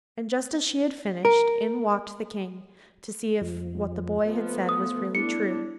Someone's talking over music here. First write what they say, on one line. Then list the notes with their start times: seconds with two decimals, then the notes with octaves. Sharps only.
And just as she had finished in walked the king, to see if what the boy had said was really true.
1.25 A#4
3.41 F2 F3
4.26 F3 A3 B3
4.69 D#6
5.15 B3 D4 E4 C#7